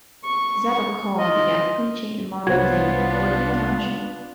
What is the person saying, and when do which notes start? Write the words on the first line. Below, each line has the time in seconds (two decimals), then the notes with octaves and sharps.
Zadock Hall began preaching in modern-day Worth Township.
0.24 C#6
1.17 F4 D#5
2.47 C2 B3 D4 F4 F#4 C5 C#5 G#6